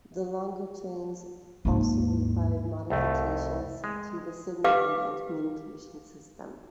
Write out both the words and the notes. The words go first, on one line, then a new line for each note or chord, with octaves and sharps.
The longer trains also required modifications to the signalling and communication system.
D#2 G#2
C2 F2 A3
G#3
G4 B4 F5 D6